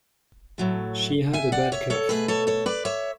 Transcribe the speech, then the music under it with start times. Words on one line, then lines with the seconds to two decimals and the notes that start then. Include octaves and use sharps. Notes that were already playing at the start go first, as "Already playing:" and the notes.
She had a bad cough.
0.58 A2 F#3 A3
1.33 E5 G#5
1.52 D5 F#5
1.72 C#5 E5
1.90 A4 C#5
2.09 B2 A3 G#4 B4
2.28 A4 C#5
2.47 A4 C#5
2.66 B4 D5
2.85 C#5 E5